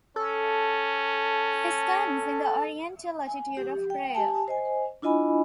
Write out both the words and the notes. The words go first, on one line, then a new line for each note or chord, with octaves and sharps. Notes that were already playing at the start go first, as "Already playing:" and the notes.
He stands in the Oriental attitude of prayer.
C#4 A4
G#5
G4
G5
G4 G#5 A5
C5 D#5 G#5
D4 E4 F4 D#5 G#5 B5